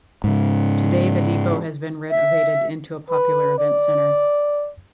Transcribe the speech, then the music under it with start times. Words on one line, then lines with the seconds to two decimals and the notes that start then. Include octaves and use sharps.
Today, the depot has been renovated into a popular events center.
0.24 G#2 C#3
2.10 E5
3.11 B4
3.58 D5